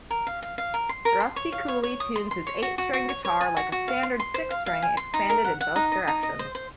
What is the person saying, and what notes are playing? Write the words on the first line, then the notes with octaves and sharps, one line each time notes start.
Rusty Cooley tunes his eight-string guitar like a standard six-string expanded in both directions.
A#4
F5
F5
F5
A#4
C6
A#4
C6
C#5
F5
C#5
C#5
D#6
C6
C6
C#5
F#4
F#4
F#4
C#5
C#5
G#5
F#4
F#4
F5
C6
C6
C5
F5
F5
G#5
C6
D#4
A#4
F#5
F#5
D#4
D#5
D#4
D#5
C5
C5